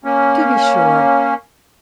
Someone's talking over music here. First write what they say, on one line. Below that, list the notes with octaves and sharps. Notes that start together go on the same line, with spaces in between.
To be sure!
A#3 C#4